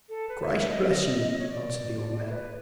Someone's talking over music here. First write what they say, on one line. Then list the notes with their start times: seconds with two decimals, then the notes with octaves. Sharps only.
'Christ bless you,' answered the old man.
0.09 A4
0.29 B4
0.42 E5
0.56 E5
0.68 D#5
1.39 C#5
1.49 D5
2.29 B4